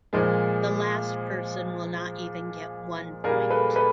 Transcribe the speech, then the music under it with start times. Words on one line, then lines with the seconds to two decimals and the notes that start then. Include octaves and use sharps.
The last person will not even get one point.
0.13 A#2 F3 G#3
3.24 A#2 G3 G#4 A#4
3.50 A4 B4
3.76 A4 B4